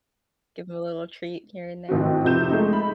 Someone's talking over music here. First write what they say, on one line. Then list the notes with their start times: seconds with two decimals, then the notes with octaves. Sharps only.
Give him a little treat here and there.
1.89 A1 D#3 C4 F#4
2.23 F1 C3 F3 G6 E7
2.50 G#3 A3 D#4
2.73 B5